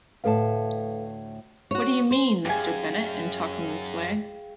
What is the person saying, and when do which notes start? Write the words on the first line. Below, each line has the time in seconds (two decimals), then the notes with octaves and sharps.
What do you mean, Mr. Bennet, in talking this way?
0.24 D2 A2 A4 B4 F5 A5
1.71 F#4 C#5
2.11 C5
2.45 F#2 G4 G#4 D5 F5 G5 G#5